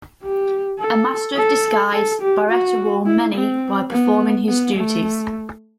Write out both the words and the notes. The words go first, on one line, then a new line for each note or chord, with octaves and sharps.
A master of disguise, Baretta wore many while performing his duties.
G4
A4
A4
A4
G4
F#4
E4
C4
B3
B3
A3